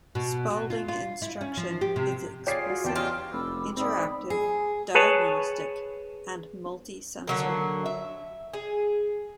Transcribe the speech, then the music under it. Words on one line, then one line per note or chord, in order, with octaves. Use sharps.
Spalding instruction is explicit, interactive, diagnostic, and multisensory.
B2
B2
F4
F4
E4
C#4
F3
G4
C3
F4 G#4 C#5 D5 G5 C7
F#4
E2 D5 G5 A5
C#4 F4 G4 D#5 G5
F1 B5 D6 E6
G#2 C4 D5 G5 B5 D#6 E6
G#4
G#4 B4 C#5 A5
D3 F#3 A#3
E5
G#4